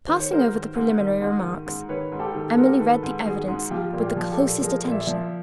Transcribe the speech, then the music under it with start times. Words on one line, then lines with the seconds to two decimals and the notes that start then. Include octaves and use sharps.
Passing over the preliminary remarks, Emily read the evidence with the closest attention.
0.08 D#3 C5
0.20 C#5
0.30 G#2 A#4 C5
0.53 D#3
0.75 G#2
0.98 D#3
1.21 G#2
1.44 D#3
1.66 G#2
1.89 D#3 B4 C#5
2.12 G#2
2.19 G4 A4
2.35 D#3
2.50 A4
2.57 G#2 A#4
2.66 G4 A4
2.80 D#3 A4 B4
3.03 G#2
3.25 D#3 F#4 G#4
3.48 G#2
3.71 F3 F4 G4
3.93 A#2
4.01 F4 G4
4.16 F3
4.31 G4 A4
4.39 A#2
4.61 F3 G#4 A#4
4.84 A#2
4.91 D5 E5
5.07 F3